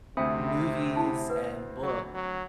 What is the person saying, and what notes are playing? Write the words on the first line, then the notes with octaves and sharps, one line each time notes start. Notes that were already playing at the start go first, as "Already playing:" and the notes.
movies and books,
D2 C3 C4 E5 G#5 B5 D#6
E4 A5
B4 F#5
F#3
F#3